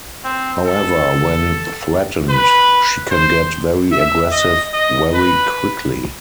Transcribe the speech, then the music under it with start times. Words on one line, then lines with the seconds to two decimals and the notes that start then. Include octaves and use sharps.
However, when threatened she can get very aggressive very quickly.
0.24 C4
0.66 A4
2.29 B4
3.11 C5
3.92 E5
4.32 D#5
4.74 D#5
5.14 B4